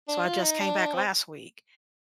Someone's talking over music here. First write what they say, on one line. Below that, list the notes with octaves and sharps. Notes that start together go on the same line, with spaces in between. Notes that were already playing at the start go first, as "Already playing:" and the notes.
So I just came back last week,
D4
F4
D#4
D4
D#4
D4
C4